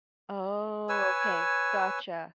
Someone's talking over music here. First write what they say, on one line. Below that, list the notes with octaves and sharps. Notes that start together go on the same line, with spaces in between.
Oh, okay. Gotcha.
B4 C#5 G#5 E6